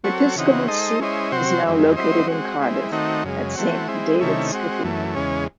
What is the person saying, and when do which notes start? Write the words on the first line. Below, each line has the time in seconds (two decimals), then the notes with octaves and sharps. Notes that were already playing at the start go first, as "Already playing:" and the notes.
The Episcopal Seat is now located in Cardiff, at Saint David's Cathedral.
0.04 F#3 C4 F#4 A4 C#5
0.36 C#3 E3 C4 D#4 F#4
0.68 G#3 D#4 A4 C5 D#5
1.00 G#3 C#4 E4 C5 D#5
1.32 C3 F#3 C4 F#4 C5
1.64 F#2 D#3 G#3 C4 E4
1.96 F#3 C4 E4 C5 D#5
2.28 G#3 C4 F#4
2.59 G#3 C4 E4
2.92 D#3 A3 C4 D#4 F#4
3.24 F#2 C#3 G#3
3.56 E3 A3 C4 F#4
3.88 G#3 C4 E4
4.19 C3 D#3 A3 C#4 E4
4.51 G#3 C4 F#4
4.84 F#2 E3 A3
5.15 E2 C#3 G#3 C#4